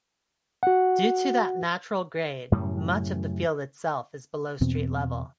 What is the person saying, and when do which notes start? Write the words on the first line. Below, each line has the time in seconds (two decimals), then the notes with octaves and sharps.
Due to that natural grade, much of the field itself is below street level.
0.63 F#4 F#5
2.52 F#2 A2 C#3 G3
4.61 E2 B2 C4